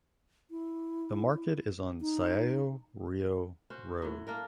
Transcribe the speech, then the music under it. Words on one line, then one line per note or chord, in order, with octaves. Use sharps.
The market is on Sayaji Rao Road.
E4
D#4
C#4 F#4 C5
A2 F#3
A#3 D4 A#4